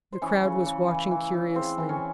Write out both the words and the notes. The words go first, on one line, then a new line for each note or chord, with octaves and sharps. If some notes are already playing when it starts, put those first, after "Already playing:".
The crowd was watching curiously.
C5
E3 C#4 C#5
C#3
C#3
E3
E3
E3
C#3 C4 C5
E3 C5
C#4 C#5